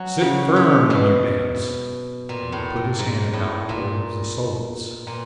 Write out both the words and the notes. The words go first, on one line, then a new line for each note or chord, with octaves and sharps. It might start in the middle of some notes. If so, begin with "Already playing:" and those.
"Sit firm when you dance"; and he put his hand out towards the soles.
Already playing: F#3
C#3
C3
B2
A#2
A2
G#2
G#2
A2
A#2
A#2